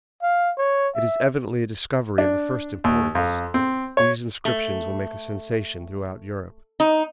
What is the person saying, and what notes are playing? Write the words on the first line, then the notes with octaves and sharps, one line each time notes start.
"It is evidently a discovery of the first importance. These inscriptions will make a sensation throughout Europe."
F5
C#5
E5
D4
D#2
F2
C4
C#5
A3
D#4